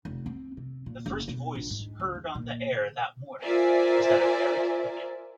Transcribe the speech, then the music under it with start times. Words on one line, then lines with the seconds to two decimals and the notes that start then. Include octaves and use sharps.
The first voice heard on the air that morning was that of Eric Egan.
0.05 F1
0.26 C4
0.57 C3
0.86 A#2
1.06 F#1
1.28 B2
1.55 A#1
1.70 G#2
2.00 C#2
2.15 E2
2.35 A#2
3.41 F4 A#4 C5 D5 E5 G#5